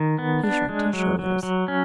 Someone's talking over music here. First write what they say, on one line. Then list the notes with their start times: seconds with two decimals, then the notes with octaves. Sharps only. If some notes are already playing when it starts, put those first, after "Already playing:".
He shrugged his shoulders.
Already playing: D#3
0.18 B3
0.44 D4
0.69 G#3
0.93 F#3
1.19 F#3
1.43 F#3
1.68 C#4